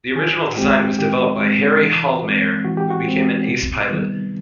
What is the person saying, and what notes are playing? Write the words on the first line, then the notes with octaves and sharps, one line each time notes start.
The original design was developed by Harry Hollmeyer who became an ace pilot.
D#3 G#4
F#4
G#3 C4 G4
D#3 G4
G#3
C4
E3
G#3 C4
E3 F#4
G4
F#4
G#3 C4
C3
D#3 G3 B3